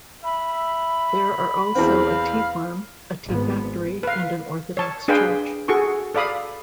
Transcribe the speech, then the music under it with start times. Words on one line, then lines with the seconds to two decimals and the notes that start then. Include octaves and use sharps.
There are also a tea farm, a tea factory and an Orthodox church.
0.24 E5 B5
1.75 E2 E3 C4 F5
3.25 G#1 B3
4.03 B4 F5
4.77 C#5 A5
5.08 D4 G#4 B4 F5 G5
5.68 F#4 G#4 A4 C#6
6.15 A4 D5 F5 B5 D#6